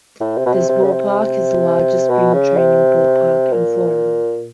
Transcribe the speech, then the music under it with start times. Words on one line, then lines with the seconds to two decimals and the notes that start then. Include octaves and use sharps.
This ballpark is the largest spring training ballpark in Florida.
0.21 A2
0.37 C3
0.46 B2
0.53 C3
0.69 C3
0.83 C#3
0.91 C3
2.10 B2
2.33 C#3
2.57 C3
3.52 A#2